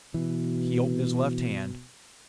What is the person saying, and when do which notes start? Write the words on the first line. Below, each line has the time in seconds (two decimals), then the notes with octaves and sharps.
He opened his left hand.
0.14 B2 E3